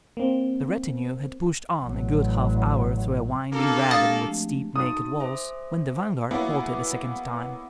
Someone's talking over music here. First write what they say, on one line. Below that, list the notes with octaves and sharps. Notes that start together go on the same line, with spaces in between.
The retinue had pushed on a good half hour through a winding ravine with steep naked walls, when the vanguard halted a second time.
A#3 C4
A1 F#3
A#3 C4 D4 F#4 A4
G#3 D4 G4 F5 D#6 A6
F3 A3
D#4 F#4 D#6
G#4 C5 E5
F#3 A#3 B3 E4 F#4 G#4